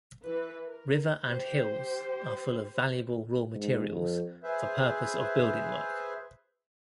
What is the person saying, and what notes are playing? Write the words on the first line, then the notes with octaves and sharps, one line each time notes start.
River and hills are full of valuable raw materials for purpose of building work.
E3 B4
A#4
G4 C5
G#2
F2
G#4 B4 C5 E5